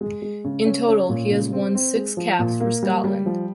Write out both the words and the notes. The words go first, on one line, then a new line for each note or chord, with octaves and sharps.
In total he has won six caps for Scotland.
G#3
G#3
C#3
C#4
C#4
A#2
C#3
C4
C4
G#3
F3
A#2
A#3
G3
G3
F3